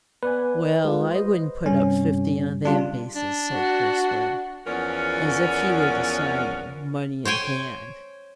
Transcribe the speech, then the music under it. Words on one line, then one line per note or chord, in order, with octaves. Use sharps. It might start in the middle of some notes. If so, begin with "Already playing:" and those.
"Well, I wouldn't put up fifty on that basis," said Hurstwood, as if he were deciding, money in hand.
B3 B4 D5 G#5
G#3 F4
C5 D#5
G2 C3 C#4
C#3 G3 D4 F4
D4
F#4
E2 F3 B3 C#4 A#4 D5
C5 C#5 G5 G#5